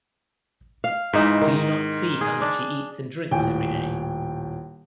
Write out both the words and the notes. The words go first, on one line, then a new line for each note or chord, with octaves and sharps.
Do you not see how much he eats and drinks every day?
F5
G#2 E3 D#4 E5
D#3
G#4
D4
D#1 A2 G5 G#5